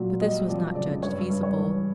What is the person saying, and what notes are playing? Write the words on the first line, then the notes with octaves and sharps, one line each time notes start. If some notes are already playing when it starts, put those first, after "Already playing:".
But this was not judged feasible.
Already playing: A#2 F#3
G3 D#5
F2 D5
C#3 D5
G2 C#5
G2
C#5
E3